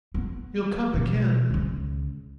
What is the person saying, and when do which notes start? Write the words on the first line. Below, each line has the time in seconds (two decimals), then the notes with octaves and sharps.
"You'll come again?"
0.14 B3
0.94 B2
1.50 C#2 C#3